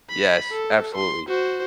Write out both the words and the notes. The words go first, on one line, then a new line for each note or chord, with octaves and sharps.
yes, absolutely.
B5
A4
C6
F#4 C5